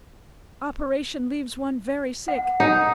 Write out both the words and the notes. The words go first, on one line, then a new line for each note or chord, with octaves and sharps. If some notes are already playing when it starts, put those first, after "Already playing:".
Operation leaves one very sick.
F#5
D#4 F#5